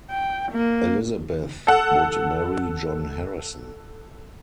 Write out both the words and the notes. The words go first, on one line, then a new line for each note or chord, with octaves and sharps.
Elizabeth would marry John Harrison.
G5
A#3
A4 F#5